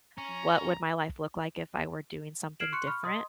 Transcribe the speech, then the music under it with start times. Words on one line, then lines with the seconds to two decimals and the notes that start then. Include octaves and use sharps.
what would my life look like if I were doing something different,
0.18 C#4 A#5
2.60 F6 G#6 C7 D7 E7 F#7
2.72 C6 C#6 F#6 C#7
2.87 B5 C#6 F6
3.04 D#5 C6 D#6